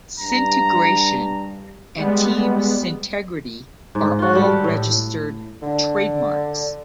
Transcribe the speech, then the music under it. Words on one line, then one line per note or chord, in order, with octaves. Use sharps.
"Syntegration" and "Team Syntegrity" are all registered trademarks.
G2 A#5
G3 G#3 B3
G#2
F4 F#4
G3 A4 F#5
A2
D3